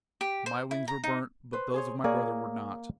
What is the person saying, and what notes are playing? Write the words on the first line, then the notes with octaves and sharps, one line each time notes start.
My wings were burnt, but those of my brother were not....
G4
C5
E4
A#5
D#4
B4 C5
G#4 C5 C#5
A#3 G#4 C#5 D5